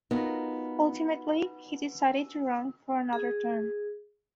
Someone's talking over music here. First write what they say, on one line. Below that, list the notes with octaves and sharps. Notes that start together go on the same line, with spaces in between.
Ultimately he decided to run for another term.
B3 D#4 F4 F#4 A#4
G#4